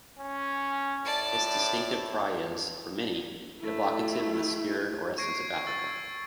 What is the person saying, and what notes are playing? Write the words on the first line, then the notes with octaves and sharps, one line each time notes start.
Its distinctive cry is, for many, evocative of the spirit or essence of Africa.
C#4
A2 D5 A5
A3 E4
C#6 G#6 A#6 C7 D7
E6 A6